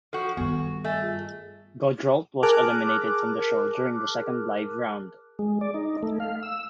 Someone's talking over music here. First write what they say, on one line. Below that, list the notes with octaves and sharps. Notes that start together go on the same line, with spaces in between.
Gaudreault was eliminated from the show during the second live round.
F3 F#4 A4
G2 D#3 G3 B3 F#4 A4
A3 D#5 G#5
F4 G#4
G#4 A#4 A5 D6 F6 F#6
G#3
D5
D#4
A3
F5
E6